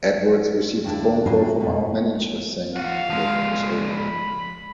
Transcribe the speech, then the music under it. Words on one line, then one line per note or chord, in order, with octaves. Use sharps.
Edwards received a phone call from our manager saying that it was over.
D#2 A#3 D4 E4 A5
A2 D3 F#3 D#4 F4 G#4
F2 B2
F4 F5 F#5
F3 G#3
B5